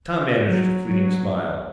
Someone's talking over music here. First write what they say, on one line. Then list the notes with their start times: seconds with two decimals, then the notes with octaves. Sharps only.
Tom managed a fleeting smile.
0.47 F#3
0.86 F#3